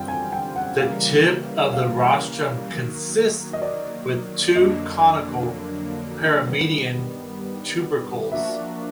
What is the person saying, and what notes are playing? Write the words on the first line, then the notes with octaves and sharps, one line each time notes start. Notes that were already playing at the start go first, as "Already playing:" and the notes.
The tip of the rostrum consists with two conical paramedian tubercles.
Already playing: F#2 D3 G3 C4 F4 G5
G#5
G5
F#5
C#3 E3 G3 A#3 F5
F5
D#3 F#3 A#3
D#5
D5
F2 D3 F#3 A#3 D4 D#5
G2 D#3 G3 B3
F3 A#3 D4 F#4 E5